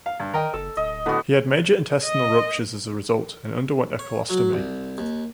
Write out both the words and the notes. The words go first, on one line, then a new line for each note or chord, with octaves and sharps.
He had major intestinal ruptures as a result, and underwent a colostomy.
F5
G2
D#3 A#4 D#5 G5
F#1 A4 E6
D1 D#5
A2 D3 B3 F#4
D#5
C#5
F#3
C2
D#2